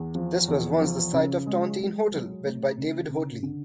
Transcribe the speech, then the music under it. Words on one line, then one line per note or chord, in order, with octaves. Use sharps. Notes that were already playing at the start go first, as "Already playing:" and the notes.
This was once the site of the Tontine Hotel, built by David Hoadley.
Already playing: E2
F3
E2
F3
C#3
G#3
G#3
F#3
A3
C#3
C#3
D3